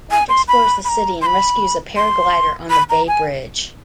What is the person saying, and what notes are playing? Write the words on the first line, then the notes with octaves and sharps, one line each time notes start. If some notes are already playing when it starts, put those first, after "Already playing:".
George explores the city and rescues a paraglider on the Bay Bridge.
G#5
C6
B5
B5
A#5
C6
B5
C6
B5
A#5
G#5